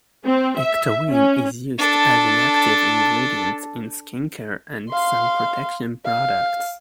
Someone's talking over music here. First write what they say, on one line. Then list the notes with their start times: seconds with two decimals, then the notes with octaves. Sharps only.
Ectoine is used as an active ingredient in skin care and sun protection products.
0.25 C4
0.59 E5
1.10 C#4
1.78 D4 A4
4.90 F5 C6
6.05 F5